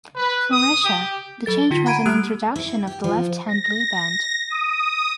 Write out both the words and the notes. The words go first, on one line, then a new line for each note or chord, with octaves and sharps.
For Russia, the change was an introduction of the left-hand blue band.
B4
D#6
G4
F#3 A4 A6
G7
D3 D#4 F4 B6
F#5 A#5 B5 G#6 D7 D#7
G3 A#3 G4 E6 F#6 D7
E4
G4
F3
A#6
D#6